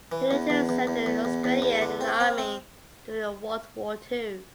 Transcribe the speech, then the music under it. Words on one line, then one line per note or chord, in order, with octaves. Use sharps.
He later served in Australian in the Army during World War Two.
E3
E2
E2
E2
E2
E2
E2
E2
E2
D3
C4
C4
C4